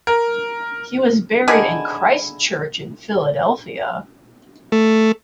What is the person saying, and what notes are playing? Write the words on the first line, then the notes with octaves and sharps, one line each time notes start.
He was buried in Christ Church in Philadelphia.
A#4
D3 D#3 E4 G#4
A3